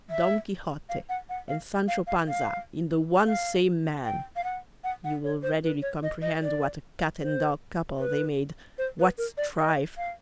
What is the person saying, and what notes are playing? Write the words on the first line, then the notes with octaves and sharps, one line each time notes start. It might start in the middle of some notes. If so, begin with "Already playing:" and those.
Don Quixote and Sancho Panza in the one same man! you will readily comprehend what a cat-and-dog couple they made! what strife!
E5
F5
F#5
F#5
F5
F5
F5
F5
F5
G5
F5
F#5
F#5
F#5
C#5
C5
B4
C#5
D#5
D#5
D5
C5
B4
C5
B4
A#4
D5
D#5
F5